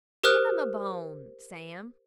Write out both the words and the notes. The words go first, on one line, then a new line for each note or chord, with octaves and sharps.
"Give him a bone--Sam."
G4 A#4 C5 D#6 F6 F#6